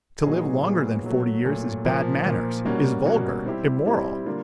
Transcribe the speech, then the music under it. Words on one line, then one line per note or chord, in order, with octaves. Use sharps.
To live longer than forty years is bad manners, is vulgar, immoral.
A#2 F#3 B3 D#4 G#4
A#2 F#3 B3 D#4 G#4
A#2 F#3 A3
A#2 F#3 A3
A#2 F3 A#3
A#2 F3 A#3
B2 G3 A#3 C#4 F#4
B2 G3 A#3 C#4 F#4
G3 C4 E4 G4
G3 C4 E4 G4
D3 G3 A#3 D4 F4